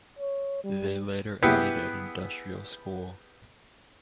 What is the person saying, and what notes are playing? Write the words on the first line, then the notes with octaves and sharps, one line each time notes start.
They later added an Industrial School.
C#5
G3
B3 E4 G4 G#4 B4